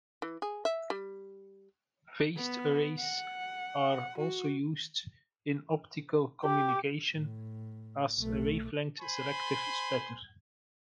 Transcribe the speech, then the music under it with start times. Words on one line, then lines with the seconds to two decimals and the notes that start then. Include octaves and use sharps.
Phased arrays are also used in optical communication as a wavelength-selective splitter.
0.22 E3
0.42 G#4
0.65 E5
0.90 G3
2.36 B3
3.00 F#5
4.18 F#4
6.45 G4
7.13 A2
8.18 B1 A3
9.01 C5 G#5 B5 C6